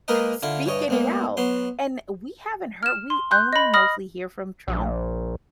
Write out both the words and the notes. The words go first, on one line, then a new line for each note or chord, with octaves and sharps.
speaking it out. And we haven't heard we only mostly hear from Trump
G#3 A#3 D#4 A#4 B4 D#5
D3 E4 F4
G2 E3 C#5 D#5
E2 G#3 A#3
F#3 B3 C6
F6 E7
C6
C6 F#6 G6
D#5 B5
B5 D#6 F6 A#6
A#1